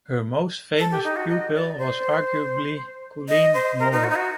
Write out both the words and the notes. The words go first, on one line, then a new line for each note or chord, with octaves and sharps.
Her most famous pupil was arguably Colleen Moore.
A4
G4
D#4
F#4
D#5
D5
C5
D#5
C5
A#4
D#4
F#4
D#4
F#4